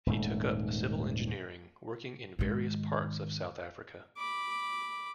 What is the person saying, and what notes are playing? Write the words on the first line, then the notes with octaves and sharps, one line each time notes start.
He took up civil engineering, working in various parts of South Africa.
D#1 G#2 A3
G#2 D#3
B5 D6